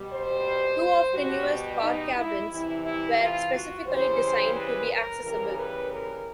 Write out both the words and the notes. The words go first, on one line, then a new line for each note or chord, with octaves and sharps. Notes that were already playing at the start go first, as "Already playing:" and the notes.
Two of the newest park cabins were specifically design to be accessible.
Already playing: B2 G3
C5
B2 G3 F#4
D#4
E4
C3 E3 G3 E4
E4
F4
F#4
C#3 E3 G3 C5
B4
A#4
C#3 E3 G3 A#4
B4
A#4